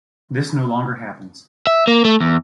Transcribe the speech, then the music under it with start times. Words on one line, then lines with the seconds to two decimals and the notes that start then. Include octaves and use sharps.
This no longer happens.
1.67 E5
1.87 A#3
2.05 A3
2.20 E2